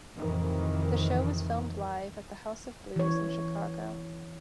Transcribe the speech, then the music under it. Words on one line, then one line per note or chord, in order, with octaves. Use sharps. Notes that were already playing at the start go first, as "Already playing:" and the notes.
The show was filmed live at the House of Blues in Chicago.
F2 A2 C3 D#3 E3
E3 C#5